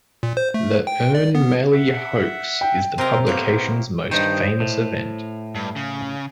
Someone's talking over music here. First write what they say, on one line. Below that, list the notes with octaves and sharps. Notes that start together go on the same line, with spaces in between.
The Ern Malley hoax is the publication's most famous event.
A#2
C5
A3
G5
D5
B3
E5 F#5
G5
C3 C4 A#4 A#5 C6
A2 A#3 B3 C5
G2 D#3 C5 D#5
A2
G2
C#3